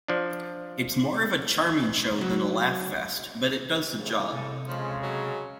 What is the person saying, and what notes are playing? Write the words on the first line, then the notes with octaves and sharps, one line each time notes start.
It's more of a charming show than a laughfest, but it does the job.
F3 D4
C#3 F#3
C2 A2 C#3
C3 A4 D#5
C#3 F3 G#3
F#3